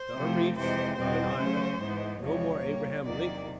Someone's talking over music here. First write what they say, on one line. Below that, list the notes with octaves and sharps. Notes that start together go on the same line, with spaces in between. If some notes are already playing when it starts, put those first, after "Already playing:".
Not a reef, not an islet. No more Abraham Lincoln.
Already playing: C5
C3 F3 A3
F2 C3 E3 G#3 C5
E2 B2 G3 C4 C5
C#3 F#3 A3 C#4
G#2 E3 G#3 B3
E2 C3 F3 G#3 C#5
A#2 G3 A#3
E2 C3 D#3 F#3 A#3 D5